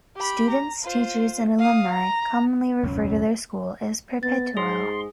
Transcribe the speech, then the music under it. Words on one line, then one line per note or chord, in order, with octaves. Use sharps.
Students, teachers and alumni commonly refer to their school as Perpetuo.
G4 B5
A#5
F4 C5
F5 D#6
A#5
E1 C#2 F#2 C#4
B3 A6
G#2 G#4 C6